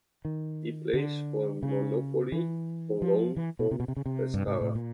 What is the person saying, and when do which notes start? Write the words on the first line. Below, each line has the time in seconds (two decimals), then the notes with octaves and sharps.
He plays for Monopoli on loan from Pescara.
0.25 D#3
0.94 D3
1.63 C#3
2.32 E3
3.02 F3
3.37 E3
3.59 B2
3.71 C3
3.80 B2
3.88 C3
3.97 C#3
4.06 C3
4.34 G2
4.47 G#2
4.61 A2
4.75 A#2